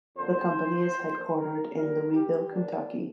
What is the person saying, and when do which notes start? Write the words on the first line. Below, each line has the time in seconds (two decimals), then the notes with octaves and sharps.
The company is headquartered in Louisville, Kentucky.
0.16 F2 D3 A#3 C5
0.95 A#1 A#2 F3
1.34 A#4
1.74 A#2 G3 A#3 A#4
2.14 G4
2.53 C2 A#2 F3 A#3 D4